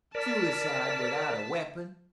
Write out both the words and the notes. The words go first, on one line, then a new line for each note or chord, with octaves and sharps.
Suicide without a weapon!
A#4 D5 A5 B6